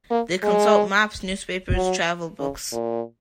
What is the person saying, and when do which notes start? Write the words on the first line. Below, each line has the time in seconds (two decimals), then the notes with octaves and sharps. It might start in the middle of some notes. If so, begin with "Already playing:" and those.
They consult maps, newspapers, travel books.
0.11 A#3
0.43 G#3
1.74 F#3
2.39 C#3
2.72 A#2